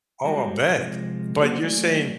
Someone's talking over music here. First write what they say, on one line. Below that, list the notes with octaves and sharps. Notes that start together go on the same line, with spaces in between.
Oh, I'll bet. But you're saying
G3 G#3 B3 E4 F#4 G4
C3 F3 G#3
F#3 A#3 C#4 F#4 C5
F#3 A3 A#3 D5 G#5